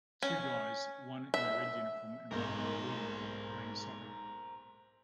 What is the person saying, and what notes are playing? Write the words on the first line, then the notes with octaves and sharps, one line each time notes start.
Two guys one in a red uniform and one in a blue uniform playing soccer.
C#4
E5
B1 G#2 A#3 A#4 C5